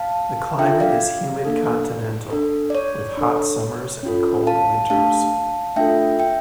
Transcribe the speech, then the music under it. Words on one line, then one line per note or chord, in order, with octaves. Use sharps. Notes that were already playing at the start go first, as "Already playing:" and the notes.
The climate is humid continental, with hot summers and cold winters.
Already playing: F5 A5
D4 F4 A4 E5 G5
D5 F5
A#3 D4 A4
D4 A4
D5
C#5
D4 A4
C#4 F4 A4
F5 A5
A3 D4 G4 F5 A5
A3 D4 F4 A4 E5 G5
E5 G5